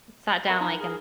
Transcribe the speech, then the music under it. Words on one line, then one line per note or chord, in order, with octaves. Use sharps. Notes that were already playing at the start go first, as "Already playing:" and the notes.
sat down, like, and
A#4 E5 B5
D#4 A#5
G#4 A#4